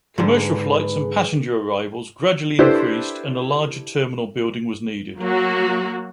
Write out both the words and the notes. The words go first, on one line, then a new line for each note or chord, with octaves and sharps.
Commercial flights and passenger arrivals gradually increased and a larger terminal building was needed.
G#2 D3 G#4 B4
D4 E4 G4 A4 B4 C5
F#3 A#3 F#4